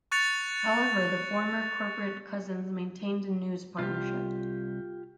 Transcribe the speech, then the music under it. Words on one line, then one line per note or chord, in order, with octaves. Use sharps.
However, the former corporate cousins maintained a news partnership.
C#6 F#6 A6 C#7 F7
C2 F4 G4